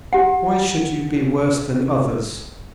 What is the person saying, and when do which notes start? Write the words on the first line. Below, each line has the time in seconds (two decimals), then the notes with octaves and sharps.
"Why should you be worse than others?"
0.13 G4 F#5